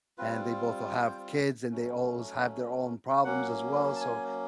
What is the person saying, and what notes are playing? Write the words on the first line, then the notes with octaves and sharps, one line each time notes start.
and they both will have kids, and they always have their own problems as well, so
G3 C4 F4 B4
C5
F#3 A3 C#4
F#3 A#3 C#4 F#5
A5
G#5